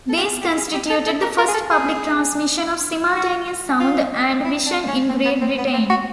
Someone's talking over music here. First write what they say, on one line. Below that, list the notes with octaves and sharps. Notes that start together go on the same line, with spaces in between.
These constituted the first public transmission of simultaneous sound and vision in Great Britain.
A4
G4
G#4
G4
G#4
G4
A4
A4
A#4
A#4
G#4
A4
G#4
F#4
F4
E4
D4
C#4
C4
B3
C4
B3
C4
F#4